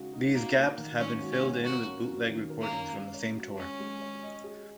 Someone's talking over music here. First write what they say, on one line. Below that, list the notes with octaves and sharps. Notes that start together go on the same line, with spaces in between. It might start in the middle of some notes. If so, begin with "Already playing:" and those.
These gaps have been filled in with bootleg recordings from the same tour.
Already playing: C#3 G#3 D#4 F#4
D#4
A#3 F#4
A#3
D#3
G#2 C#4
F#4
C#4
A#3
F#4 A#4
C#4
F#3
D#3
A#4
A#3
C#4
G#3
C#5
F#4
G#3 C#4
G#3
C#5
D#5
G#4